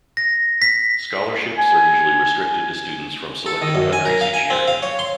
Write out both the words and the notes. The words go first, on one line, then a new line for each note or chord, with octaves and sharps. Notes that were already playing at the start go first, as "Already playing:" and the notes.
Scholarships are usually restricted to students from selected countries each year.
A#6
B6
G#5
A4
D#3
F#2
G#5
A#4
F5
G#5
C4
F5
C#5
C6